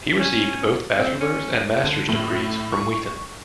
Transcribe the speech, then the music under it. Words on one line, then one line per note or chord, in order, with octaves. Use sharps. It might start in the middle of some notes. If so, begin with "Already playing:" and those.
He received both bachelor's and master's degrees from Wheaton.
C#4
C4
C#4
D3
A2
C#6